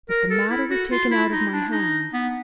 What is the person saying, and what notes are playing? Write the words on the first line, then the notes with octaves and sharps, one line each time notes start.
But the matter was taken out of my hands.
A#4
A4
E4
F#4
F4
E4
D#4
D4
D#4
B3